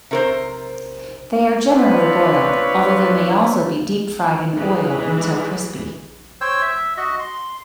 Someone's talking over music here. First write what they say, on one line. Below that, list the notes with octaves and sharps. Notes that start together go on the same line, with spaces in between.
They are generally boiled, although they may also be deep-fried in oil until crispy.
C3 A#4 C5
C4 D4 F4 B4 C#5
E3 G#3
C5 C#5 G5 E6
E5
F#4 D#5
C6